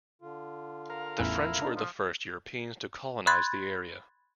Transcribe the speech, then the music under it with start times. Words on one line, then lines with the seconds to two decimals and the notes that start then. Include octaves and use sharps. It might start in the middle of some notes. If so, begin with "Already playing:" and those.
The French were the first Europeans to colonize the area.
0.22 D3 F4
0.90 A#4 F5
1.19 A1 E2 E4 G#5
1.62 D4 D#4 B4
1.76 F3
3.27 B5 C6 F#6 G#6 A6